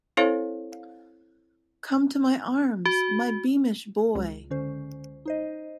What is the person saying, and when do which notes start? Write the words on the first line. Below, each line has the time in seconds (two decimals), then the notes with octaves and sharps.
Come to my arms, my beamish boy!
0.17 C4 E4 A4 C5 C#5 F5
2.85 F#4
4.15 C#2
4.50 D3 C#4 C5
5.25 D#4 C5 D#5